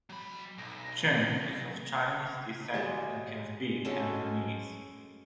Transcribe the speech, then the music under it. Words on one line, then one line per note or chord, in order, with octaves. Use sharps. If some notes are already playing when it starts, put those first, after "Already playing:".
Shen is of Chinese descent and can speak Cantonese.
F#3 B5
B1 A#6
G3 G#3 F#4
G#3 C#4 F#4 A4